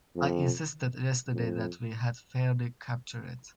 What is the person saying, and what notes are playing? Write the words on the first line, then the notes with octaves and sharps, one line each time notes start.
I insisted yesterday that we had fairly captured it.
F2
F2